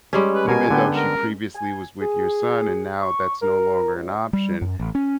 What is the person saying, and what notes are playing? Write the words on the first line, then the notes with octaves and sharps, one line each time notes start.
Even though she previously was with your son and now that's no longer an option,
G3 G#3 C#4
B4
B2 A#4 G#5
D3 B3 G5
A#4
G#5
G#4
C#6
A#4
C#2
G3
F#2
A1
C#4